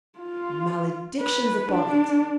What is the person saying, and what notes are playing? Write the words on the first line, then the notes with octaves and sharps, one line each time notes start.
Maledictions upon it!
F4
B4
D4